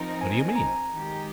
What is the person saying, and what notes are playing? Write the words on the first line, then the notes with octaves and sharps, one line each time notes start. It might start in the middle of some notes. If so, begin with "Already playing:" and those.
"What do you mean?"
Already playing: F3 C4 D#4 A#4
G#5
G#5
A#5
D#3 G#3 D#4 G4